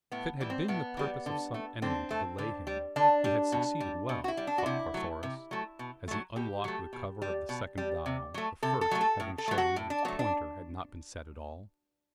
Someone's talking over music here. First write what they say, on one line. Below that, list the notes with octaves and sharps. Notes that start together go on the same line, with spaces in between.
If it had been the purpose of some enemy to delay him, he had succeeded well, thought Carthoris, as he unlocked the cover of the second dial the first having shown that its pointer had not been set at all.
A2 B3
E3 G3
C4
A2 B3
E3 G3
D3
A3
D3 C4
A3
D3
G3
D3 D4
G3
B2
G3
B2
F#4
E4
G3
D4
F#4
C3 E4
F#3 A3
C3
F#3 A3
B2
F#3 A3
B2 G4
F#3 A3
B2
G3
B2
G3
C3
F#3 A3
C3 A4
A4
F#3 A3
A4
A2
A4
F#3 A3
F#4
A2
D4
F#3 A3 B3
D4